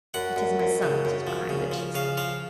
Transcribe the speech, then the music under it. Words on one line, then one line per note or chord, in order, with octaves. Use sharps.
"It is my son that is behind it," he said.
F#2 F#5
F#2
F#2
C#3
F#2
F3
C#3
F3
C#3 F5
F3 F5